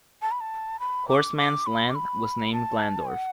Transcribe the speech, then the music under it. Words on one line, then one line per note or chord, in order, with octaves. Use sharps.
Horstmann's land was named Glandorf.
A5
B5
A5
B5
D6
D6
B5
D6
B5
A5
F#5